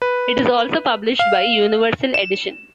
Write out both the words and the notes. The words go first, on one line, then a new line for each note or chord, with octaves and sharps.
It is also published by Universal Edition.
B4
F5
E7